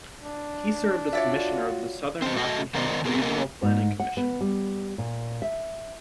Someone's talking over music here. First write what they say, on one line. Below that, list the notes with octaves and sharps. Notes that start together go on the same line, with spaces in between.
He served as commissioner of the Southern Rockingham Regional Planning Commission.
D4
F4 F#4 C#5 D5 E5
C4 C5 D#5
A3 F#4 D#5
D#3 B3 A#4 C5 D5 D#5
B3 C4 G#4 A#4
F#3 A#3 B3 A#4 D#5
G#2
F#5
B3
G3
A#2
E5